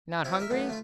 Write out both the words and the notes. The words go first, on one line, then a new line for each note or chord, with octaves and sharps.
"Not hungry?"
C3 E4 F4
A#4 E5
B1 A3 B3
A3 F4